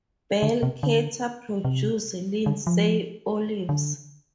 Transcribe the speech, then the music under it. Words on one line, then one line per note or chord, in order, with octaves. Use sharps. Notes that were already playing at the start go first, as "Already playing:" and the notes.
Bell Carter produces Lindsay Olives.
D3
C3
D3
C3
D3
F3
D3